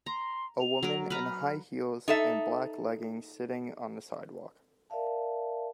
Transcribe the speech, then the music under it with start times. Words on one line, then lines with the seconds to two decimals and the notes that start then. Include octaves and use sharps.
A woman in high heels and black leggings sitting on the sidewalk.
0.06 A#5 C6
0.59 F7
0.83 F#3 A#4
1.10 B4 A#5 F6
2.08 D#4 A4 E5
4.90 A#4 D5 E5 F5 A5